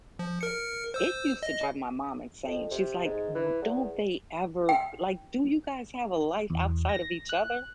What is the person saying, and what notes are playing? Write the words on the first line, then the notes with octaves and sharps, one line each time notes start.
it used to drive my mom insane, she's like, "W don't they ever, like, do you guys have a life outside of each other?"
F3
A#4 C#7
C5 E6
D#5
F2
C3
G#2
E3
E2
G5
E2
A#6
F#6